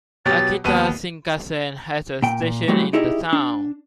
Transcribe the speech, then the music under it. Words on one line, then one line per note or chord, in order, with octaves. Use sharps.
Akita Shinkansen has a station in the town.
B2 F#3 G4 A6
D#2 B3 A5 D#7
A#2 G5
A#2
E3 F#3 G3 A3 C4
D#4 E4 G4 G#4 D#5 E5
D4